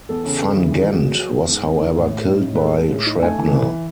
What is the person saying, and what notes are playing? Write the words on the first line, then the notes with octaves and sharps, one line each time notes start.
Van Ghent was however killed by shrapnel.
E2 A4
C#3
C#3
E3
D#3 G#4
F#3
F#3
F#3
B3
G#2
B3
D#3
A2
A2
D#4
A2
B4
G#3 A4
G#3
A2
D#4
A3 G#5
E3
E3